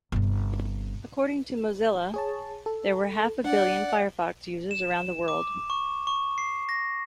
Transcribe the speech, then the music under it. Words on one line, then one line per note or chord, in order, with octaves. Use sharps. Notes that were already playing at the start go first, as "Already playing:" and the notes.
According to Mozilla, there were half a billion Firefox users around the world.
G1 C3
G#4 C#5 A5
A4
D4 D5 F#5
E7
D6
C#6
C#6
C7
A#6